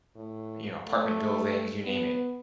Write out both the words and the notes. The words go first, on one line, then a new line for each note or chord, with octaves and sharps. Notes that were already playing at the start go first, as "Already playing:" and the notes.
you know, apartment buildings, you name it.
A2
A3
B3